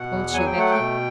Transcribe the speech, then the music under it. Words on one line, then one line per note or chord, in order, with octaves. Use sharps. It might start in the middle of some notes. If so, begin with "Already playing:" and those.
Won't you, Becky?'
Already playing: B2 F#5
E2
F#3 G#5
G5
A3 F#5
G5
B2